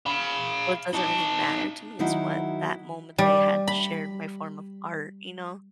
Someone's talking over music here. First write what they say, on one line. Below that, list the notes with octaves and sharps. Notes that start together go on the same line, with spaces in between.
well, it doesn't really matter to me, it's what that moment that I had shared my form of art, you know?
F5 B5
D#4 A5
D#3 F#3 D#4 E4 F#4
G3
B5